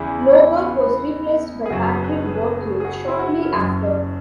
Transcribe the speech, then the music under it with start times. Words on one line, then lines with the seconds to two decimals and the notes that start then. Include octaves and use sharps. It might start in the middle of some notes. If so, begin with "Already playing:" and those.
Loberg was replaced by Patrick Bourque shortly after.
Already playing: E2 C#3 E3 E4
0.33 E4
0.56 B3
1.66 G#4
1.70 F#1 F#2 F#3 F#4
1.82 F#4
1.93 G#4
2.04 B4
2.16 B4
2.26 G#4
2.35 B4
2.61 G#4
2.80 G#4
2.85 F#4
3.08 E4
3.19 F#4
3.30 E4
3.42 C#4
3.53 F#1 F#2 F#3